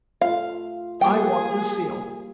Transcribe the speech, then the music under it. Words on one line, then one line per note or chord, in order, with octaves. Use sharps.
I want Lucille.
A3 F4 F5
G3 A#3 G#4 G5